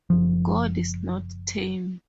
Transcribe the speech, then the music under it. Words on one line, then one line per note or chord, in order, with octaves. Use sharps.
God is not tame.
F#1 F3